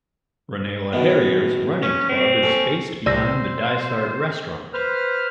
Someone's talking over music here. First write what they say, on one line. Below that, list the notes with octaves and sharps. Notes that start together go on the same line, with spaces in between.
Ranelagh Harriers running club is based behind the "Dysart" restaurant.
F#2 D#3 B3
C#4 C#5
C4
C#4 A4 C#6
C2 C5 D5 E6 A#6
B4 C5 F6